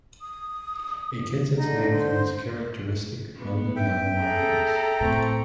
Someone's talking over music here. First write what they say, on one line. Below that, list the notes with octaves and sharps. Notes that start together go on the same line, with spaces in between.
It gets its name from its characteristic golden yellow markings.
D#6
D3 D#4
C5
B3
E5 G5
G#4 A4 A#5
A2 C4 C#6